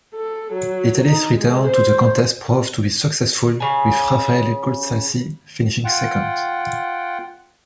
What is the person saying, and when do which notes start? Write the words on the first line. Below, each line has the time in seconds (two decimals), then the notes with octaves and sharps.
Italy's return to the contest proved to be successful, with Raphael Gualazzi finishing second.
0.15 A4
0.53 F#3
1.08 D#4
1.37 G#3
1.67 C5
3.60 C#3 G#5
5.85 F4 F#5 G5